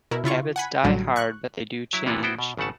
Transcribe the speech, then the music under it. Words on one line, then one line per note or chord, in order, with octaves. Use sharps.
Habits die hard, but they do change.
B2 E4 A#4
C#3 E4 F4 C#6
F#5 G#5 B5
A1 A2 D3 F#3 G3
C#6 F#6
F#3 E4
C3 E3 A#3 B3 F4 F#4
B3 E4 F#4 C5 G5
B2
G#1 C#3 A3 F#5 A5